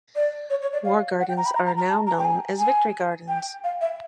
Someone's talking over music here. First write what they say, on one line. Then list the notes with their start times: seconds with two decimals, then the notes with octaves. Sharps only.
War Gardens are now known as Victory Gardens.
0.16 D5
0.50 C#5
0.62 C#5
0.73 D5
0.85 F5
1.20 F#5
1.28 G5
1.37 A#5
1.46 B5
1.55 A#5
1.66 A#5
1.77 A#5
1.89 A5
2.07 A#5
2.19 G5
2.24 G#5
2.59 G#5
3.28 G5
3.64 F5
3.81 E5